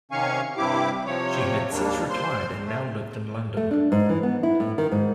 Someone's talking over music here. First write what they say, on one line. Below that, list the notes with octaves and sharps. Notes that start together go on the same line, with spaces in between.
She had since retired and now lived in London.
C3 D#3 C#4 F5 G#5 C#6
G2 C3 E4 G4 D6
C3 F3 C#5
D#2 G3 A#3 D4
C5 C6
A3
A3
D4
G#2
E3
B3
E4
A2
D#3
G#2